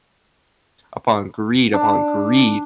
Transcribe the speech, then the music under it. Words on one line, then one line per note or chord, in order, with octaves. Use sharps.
upon greed, upon greed,
D4